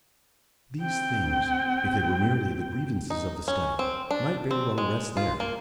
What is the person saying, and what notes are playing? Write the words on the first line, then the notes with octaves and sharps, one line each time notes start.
These things, if they were merely the grievances of the study, might very well rest there.
C4 G5
D#4
C#4
C4
D4
C4
G#3
F4
A#3